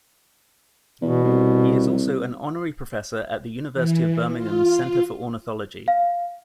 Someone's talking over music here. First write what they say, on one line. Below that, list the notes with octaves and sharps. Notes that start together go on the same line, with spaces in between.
He is also an honorary Professor at the University of Birmingham's Centre for Ornithology.
E2 B2
C2
E3
F4
F5